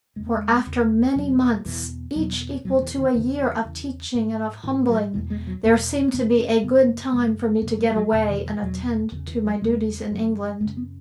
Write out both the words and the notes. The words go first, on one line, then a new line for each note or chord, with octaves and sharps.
For after many months--each equal to a year of teaching and of humbling--there seemed to be a good time for me to get away and attend to my duties in England.
E2 C#3 G#3
A#3
G#3
E2 C#3
E2 B2 F#3
E2 B2 E3
E2 B2 F#3
E2 B2 F#3
E3
D#3
E2 C#3 D#3
E3
E2 C#3
G#2
G#2 E3
F#3
E2 B2 E3
G#3
F#3
E2 B2 A#3
F#2 C#3 B3
C#4
F#2 C#3 B3
A#3
F#2 C#3 G#3
F#2 C#3 A#3
G#3
G#3
F#3
E2 B2 E3
D#3
E3
E2 B2 F#3
E2 C#3 D#3
E3
F#3
E2 C#3 G#3
F#2 C#3 F#3
F#2 G#3
C#3
B3